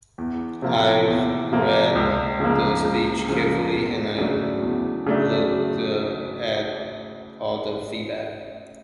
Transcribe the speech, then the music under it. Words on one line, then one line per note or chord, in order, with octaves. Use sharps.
I've read the speech carefully and I've looked at all the feedback.
E2
C3 F3 A#3
E2
C3 F3 A#3
C#2
C#3 F3 A#3
C#2
C#3 F3 A#3
E2
C#3 F#3 A3 D4
E2
C#3 F#3 A3 D4